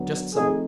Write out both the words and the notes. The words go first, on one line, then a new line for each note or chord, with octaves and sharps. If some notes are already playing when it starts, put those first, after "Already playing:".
"Just so."
Already playing: D3 F#3 B3
F3 A3 C4 D#4 G#4